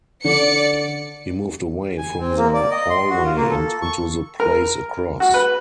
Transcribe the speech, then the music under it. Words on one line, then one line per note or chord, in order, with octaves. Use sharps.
He moved away from the hallway and into the place across.
D3 D5 C#7
G#5
C4
A#3
D5
D#5
C6
F#4
F4
A#3
A4
C#6
A#4
F#4
B4